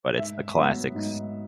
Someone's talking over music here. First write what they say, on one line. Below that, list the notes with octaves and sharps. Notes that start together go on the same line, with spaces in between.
But it's the classics.
G#2 E5
F#3 B3
G#2